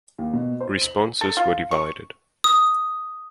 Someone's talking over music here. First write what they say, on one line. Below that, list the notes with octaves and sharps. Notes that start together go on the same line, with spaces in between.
Responses were divided.
D#2
B2
C5
F#7
A4
F4
C#6
D#6